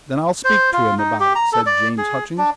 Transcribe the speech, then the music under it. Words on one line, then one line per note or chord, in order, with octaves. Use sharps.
"Then I'll speak to him about it," said James Hutchings.
C5
F4
D#4
G4
A#5
A4
D5
G#4
D4